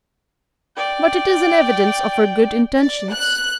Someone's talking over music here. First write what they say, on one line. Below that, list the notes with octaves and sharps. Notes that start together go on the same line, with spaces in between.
But it is an evidence of her good intentions.
D5 G5
D5
F#6